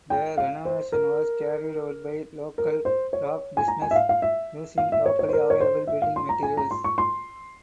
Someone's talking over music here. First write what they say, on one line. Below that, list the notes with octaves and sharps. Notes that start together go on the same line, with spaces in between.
The renovation was carried out by local craft businesses using locally available building materials.
G5
F5
C5
A#4
A#4
C5
C#5
G#5
A#5
G#5
E5
F5
F5
E5
F5
E5
C#5
C#5
C5
A#4
C#5
C5
E5
F5
C6
A#5
G#5
A#5
C6
C#6
C6